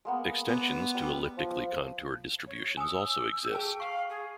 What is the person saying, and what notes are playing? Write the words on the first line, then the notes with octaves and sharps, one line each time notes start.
Extensions to elliptically-contoured distributions also exist.
G#3 A#3 B3
B3 D5 G#5 B5
G3 B4 B5
F3
C#5
G#5 D#6 E6
G#4 G5 A5
F5 C#6
G#4